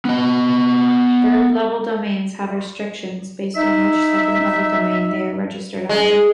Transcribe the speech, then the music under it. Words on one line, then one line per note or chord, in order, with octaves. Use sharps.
Third-level domains have restrictions based on which second-level domain they are registered under.
B3 D#5
D#4 E5
G#3